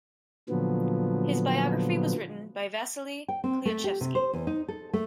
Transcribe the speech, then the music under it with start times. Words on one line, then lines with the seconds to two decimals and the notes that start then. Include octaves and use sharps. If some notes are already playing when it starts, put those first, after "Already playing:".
His biography was written by Vasily Klyuchevsky.
0.49 A#2 D3 F3 F#3 B3
3.28 G5
3.44 C4
3.65 A3
3.84 G4
4.01 C3
4.15 C5
4.33 E2
4.47 D#4
4.68 A4
4.93 A3